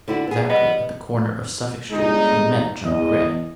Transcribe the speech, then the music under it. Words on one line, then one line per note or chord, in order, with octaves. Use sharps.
Exactly at the corner of Suffolk Street he met John Grey.
D3 E4 F#4
B3 G#4
G3 B3 D#5
G1 G#3 D#4
E2 D#5